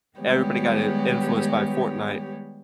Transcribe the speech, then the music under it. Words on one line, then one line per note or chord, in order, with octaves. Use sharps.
everybody got, in influenced by Fortnite
D#3 G3 G#3 B3 G4 C#5